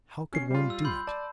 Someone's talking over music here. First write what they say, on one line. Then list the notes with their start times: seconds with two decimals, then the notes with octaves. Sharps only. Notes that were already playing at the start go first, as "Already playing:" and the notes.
How could one do it?
0.33 C#4 C7
0.51 G3 F4
0.70 E6
0.85 B5 C6 G6
1.07 D5 A5